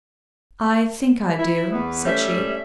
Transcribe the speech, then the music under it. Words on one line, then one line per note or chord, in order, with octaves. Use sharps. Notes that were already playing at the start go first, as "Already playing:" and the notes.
"I think I do," said she.
E4
E2 B3
G3 A3 C#4 E5